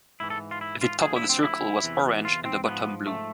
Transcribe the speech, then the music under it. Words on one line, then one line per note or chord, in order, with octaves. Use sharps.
The top of the circle was orange, and the bottom blue.
G#2 E3 E4
A4
F4
E4
F4
D2 D3 F3 G#4
E4
C4
E4
E2 C3 E3
F4
C4
G#2 F3 B3
A3